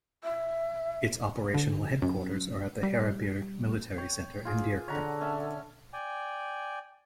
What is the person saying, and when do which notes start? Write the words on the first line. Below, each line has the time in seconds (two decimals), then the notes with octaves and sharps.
Its operational headquarters are at the Haerebierg Military Center in Diekirch.
0.24 E5
1.54 D3
2.02 F#2
2.83 G3
3.97 C#5 G5
4.45 F4 G#4 D6
4.88 D3 C#5 F#5 A#5
5.21 C#4 E5 A5
5.93 D5 G5 G#5